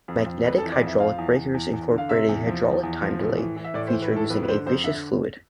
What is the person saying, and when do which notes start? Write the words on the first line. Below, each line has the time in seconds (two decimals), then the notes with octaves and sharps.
Magnetic-hydraulic breakers incorporate a hydraulic time delay feature using a viscous fluid.
0.08 F2
0.26 F2
0.45 F2 B4
0.58 A4
0.63 E3
0.72 D5
0.81 F2 E5
1.00 F3 F5
1.18 E2
1.36 E2
1.54 E2
1.73 E2
1.92 D3
1.98 F5
2.09 C3 E5
2.29 E2
2.46 F3
2.65 E2
2.83 E2
3.02 F3
3.20 A2
3.37 E3
3.56 E3
3.64 E5
3.74 A2 D5
3.88 C5
3.93 E3
4.02 B4
4.11 A2
4.16 A4
4.30 F2 B4
4.43 B4
4.48 D3 C5
4.66 F2 C5
4.84 D3 E5